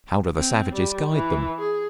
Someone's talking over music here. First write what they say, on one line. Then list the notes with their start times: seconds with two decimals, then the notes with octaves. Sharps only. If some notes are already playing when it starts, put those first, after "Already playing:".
How do the savages guide them?
0.37 C4
0.74 G3
1.14 E3
1.59 G#4